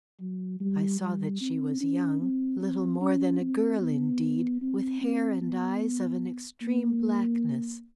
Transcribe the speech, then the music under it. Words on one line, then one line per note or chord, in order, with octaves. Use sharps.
I saw that she was young, little more than a girl indeed, with hair and eyes of an extreme blackness.
F#3
G3
G3
C4
C#4
C4
C4
C#4
C4
B3
C4
C4
B3
A#3